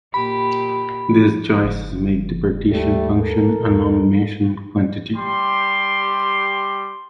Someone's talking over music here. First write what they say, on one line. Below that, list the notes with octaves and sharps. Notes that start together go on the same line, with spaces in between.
These choices make the partition function a nondimensional quantity.
A#2 G4 B5
F#1
D#2 G3 A3
A4 A#4
E2
G3 G4 C6